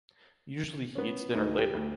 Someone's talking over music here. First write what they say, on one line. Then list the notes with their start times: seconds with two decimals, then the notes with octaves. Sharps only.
Usually he eats dinner later.
0.95 B3 C#4
1.34 D2 D#4 B4
1.58 G4
1.74 D2